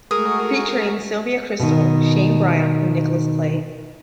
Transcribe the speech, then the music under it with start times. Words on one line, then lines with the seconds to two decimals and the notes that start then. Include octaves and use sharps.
Featuring Sylvia Kristel, Shane Briant and Nicholas Clay.
0.11 G#3 A3 F#4 G#4 A#4 D#6
1.60 B2 D#3